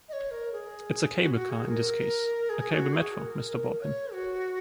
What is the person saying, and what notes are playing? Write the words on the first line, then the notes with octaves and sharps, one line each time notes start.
It's a cable car, in this case! A cable metro, Mr. Baupin.
D#5
C#5
A#4
G#4
F#4
F#4
G#4
A#4
G#4
F#4
G#4
A#4
C#5
F#4